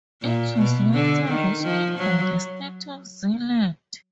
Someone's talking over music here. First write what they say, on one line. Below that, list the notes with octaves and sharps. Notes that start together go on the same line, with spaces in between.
It was later rescued by the State of Zeeland.
A#2
B2
D3
D#3
F3
F#3